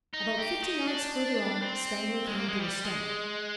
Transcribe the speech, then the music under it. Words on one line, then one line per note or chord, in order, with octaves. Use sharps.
About fifty yards further on, Spangler came to a stand.
D#4
G4
D#4
D4
C4
G#3
A#3
G#3
G3
G#3